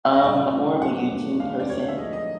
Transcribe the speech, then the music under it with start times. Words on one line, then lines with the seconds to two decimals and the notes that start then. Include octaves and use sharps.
Um, I'm more of a YouTube person,
0.13 D#5
0.24 A#2 G3 B3 D5
0.53 A3 C#4 F4
0.81 F#3 B3 D4 G4 F#5
1.11 A3 D4 F#4
1.40 G#3 B3 D4 F5
1.60 D5
1.69 G#3 C#4 F#4 C#5
1.88 E5
1.98 F3 A#3 D#4 G#4 D#5
2.13 D#5